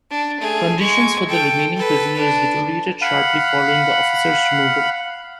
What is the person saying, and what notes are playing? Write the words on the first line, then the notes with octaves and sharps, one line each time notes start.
Conditions for the remaining prisoners deteriorated sharply following the officers' removal.
D4
A3 G#4
G#3 C#6
A4 G5
A4 B4
D4
F5 F#5 B5 F#6